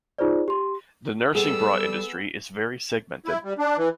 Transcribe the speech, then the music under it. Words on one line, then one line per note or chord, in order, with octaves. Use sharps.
The nursing bra industry is very segmented.
D#4 F4 G#4 C5 D5
G4 C6
G3 B3 G#4 A4 E6
E4
G3
D4
E3